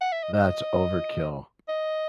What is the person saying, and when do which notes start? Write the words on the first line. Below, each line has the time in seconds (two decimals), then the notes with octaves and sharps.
That's overkill.
0.01 F#5
0.12 E5
0.23 D#5
0.34 D#5
1.68 D#5